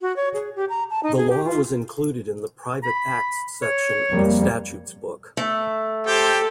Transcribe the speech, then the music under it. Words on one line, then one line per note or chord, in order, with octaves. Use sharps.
The law was included in the "Private Acts" section of the statutes book.
F#4
C#5
G#4
G4
A#5
A5
D#4
G#4
G4
F4
B5
C#5
F2 G3 A#3
A3
G4 A4 C5 G5